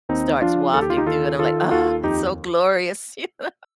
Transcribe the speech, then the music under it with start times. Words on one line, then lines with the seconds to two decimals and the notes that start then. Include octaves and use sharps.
starts wafting through and I'm like, "Oh, it's so glorious." You know?
0.09 D#2 C4 D#4
0.42 F3 D4 F4
0.74 D#2 A4
0.82 G4
0.90 F4
0.97 D#4 G4
1.06 D#3 F4 A4
1.39 D#3 F4 A4
1.71 D#2 F4 A4
2.03 F2 D#4 G4